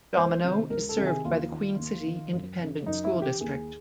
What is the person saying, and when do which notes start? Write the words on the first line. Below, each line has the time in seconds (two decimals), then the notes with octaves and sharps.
Domino is served by the Queen City Independent School District.
0.17 C#2 C5
0.44 C3 D#3
0.70 C#2 A#4
0.89 A4
0.98 C3 D#3
1.07 G#4
1.25 D#2 F4
1.52 D#3
1.79 D#2
2.06 D#3
2.32 F#2
2.59 C#3 E3
2.86 F#2 D#4
3.04 E4
3.14 C#3 E3
3.22 G4
3.41 D#2 G#4